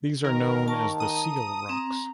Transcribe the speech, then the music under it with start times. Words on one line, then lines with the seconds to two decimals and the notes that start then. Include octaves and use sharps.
These are known as the Seal Rocks.
0.24 D#3 A#4
0.68 A5 C#6
1.00 A#5 D#6
1.69 C4 A#5